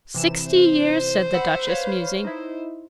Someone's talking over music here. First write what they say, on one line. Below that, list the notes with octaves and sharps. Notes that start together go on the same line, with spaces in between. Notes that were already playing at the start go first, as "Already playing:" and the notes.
"Sixty years," said the Duchess, musing.
C3 E3 E7
C5
F#5 B5 E6
B4 C#5 F5
D#4 E4